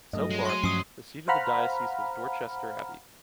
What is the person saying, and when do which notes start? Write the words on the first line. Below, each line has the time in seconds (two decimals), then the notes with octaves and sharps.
So far, the seat of the diocese was Dorchester Abbey.
0.13 G2 F#3 A3 D#5
0.31 G#3
0.45 C6 D#7
0.64 G2 F3 F#3 C#4 F#4 D#6 C7
1.28 C5 F5 F#5 A#5 B5 F6